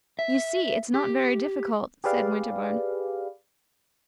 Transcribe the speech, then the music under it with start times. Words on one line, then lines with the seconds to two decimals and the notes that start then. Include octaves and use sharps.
"You see, it's not very difficult," said Winterbourne.
0.19 E5
0.94 G4
2.04 G4 G#4 B4 D5 F5